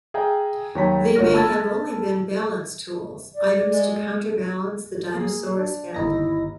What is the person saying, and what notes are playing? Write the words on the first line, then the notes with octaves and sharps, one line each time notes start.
They may have only been balance tools, items to counterbalance the dinosaur's head.
G#4 E5 F5 G5 G#5 A#5
D#2 F#3 C#5 G5 A#5 B6
G1 F4 F#4 C#5 F6 A#6
A5 B5 E6 F6 G#6 A6
D5
G#3
A#3 G#4
D4
G1 D#2 D#4 E4 A#6